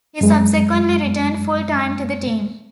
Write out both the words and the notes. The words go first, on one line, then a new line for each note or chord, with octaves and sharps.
He subsequently returned full-time to the team.
F#2 G#3